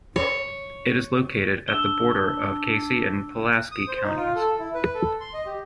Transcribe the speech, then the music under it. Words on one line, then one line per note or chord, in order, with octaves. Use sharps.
It is located at the border of Casey and Pulaski Counties.
C#5
D4 E6 E7 G7
D#6
C5
D#4
F4
A4
E4
B4
A4
C6
D#5
G4